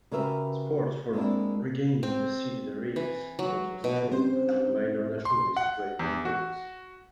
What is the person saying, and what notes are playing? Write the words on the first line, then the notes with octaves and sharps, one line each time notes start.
Support for regaining the ceded areas is also strong among minor nationalist right-wing groups.
C#3 F#4 G4 A#4 B4 E5
G#3 A#3 C4 D4 E4
C4
E3
F#3
B2
C4 C#4 G4 C5
C6
F#5
E2
F#4